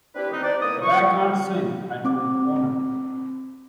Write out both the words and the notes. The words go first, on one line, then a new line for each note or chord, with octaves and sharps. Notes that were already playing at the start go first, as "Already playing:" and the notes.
'But I can't swim,' I told the owner.
C4 D4 E4 G4 B4
D#3 C4 D#4
D#4 C5 D5
A#3 B3 E4 D5 D#6
F#2 A#2 C5 C#6
C4 D6